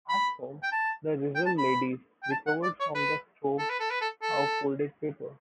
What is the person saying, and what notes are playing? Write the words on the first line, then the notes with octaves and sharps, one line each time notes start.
At home, the Rizal ladies recovered from the stove a folded paper.
B5
G5
A5
G5
A5
B5
G5
A5
F#5
D5
C#5
B4
A4
B4
A4
B4
A4
A4